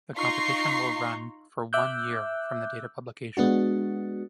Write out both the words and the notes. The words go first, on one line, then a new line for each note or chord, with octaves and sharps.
The competition will run for one year from the date of publication.
D#4 F4 A#5 C6 C#6 C7
E5 D6 E6 F#6 G6
G#3 B3 D4 F#4